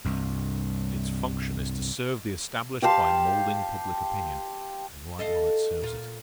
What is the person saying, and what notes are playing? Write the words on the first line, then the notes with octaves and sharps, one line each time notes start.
Its function is to serve the established by moulding public opinion, and right well it serves it.
C2 G2
G4 F5 A5 C6
A4 D#5 F5
A#2 F4